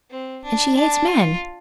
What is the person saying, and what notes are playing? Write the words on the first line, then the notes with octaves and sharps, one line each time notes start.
And she hates men!
C4
D4
D4
F4